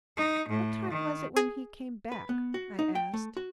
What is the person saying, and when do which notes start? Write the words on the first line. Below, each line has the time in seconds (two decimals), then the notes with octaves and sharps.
"What time was it when he came back?" I asked.
0.17 D#4
0.49 A2
0.92 D#3
1.36 G#4
2.12 B4
2.29 B3
2.54 F#4
2.79 D#4
2.95 G5
3.14 A3
3.37 F#4